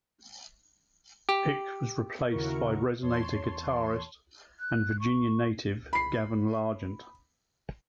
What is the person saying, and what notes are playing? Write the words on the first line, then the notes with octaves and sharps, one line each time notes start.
Ickes was replaced by resonator guitarist and Virginia native, Gaven Largent.
G4
D#2 C#3 E4 F#4 A#4 C#6
E2 C#5 A5 C6
F#6
C#6
B5 C7